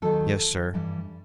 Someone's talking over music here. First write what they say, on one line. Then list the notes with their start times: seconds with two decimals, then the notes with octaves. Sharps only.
"Yes, sir."
0.02 D#2 D#3 F#3 A4
0.74 G2 E3 G3